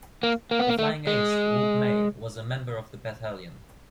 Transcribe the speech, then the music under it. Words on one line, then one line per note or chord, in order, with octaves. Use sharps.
The flying ace Wop May was a member of the battalion.
A#3
A#3
B3
A#3
A3
G#3